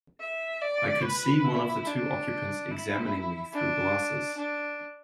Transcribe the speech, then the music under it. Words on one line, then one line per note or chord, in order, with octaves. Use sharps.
I could see one of the two occupants examining me through glasses.
E5
D5
B4
E4
D4
E4
D4
D4